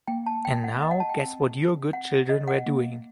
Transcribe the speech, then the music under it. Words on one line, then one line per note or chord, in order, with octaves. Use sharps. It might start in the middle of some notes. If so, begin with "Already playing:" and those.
And now, guess what your good children were doing?
A#3 G5
A5
G5
F#5
D#5
F#5
A5
G5
C4
F#5
D#5
F#5
A#3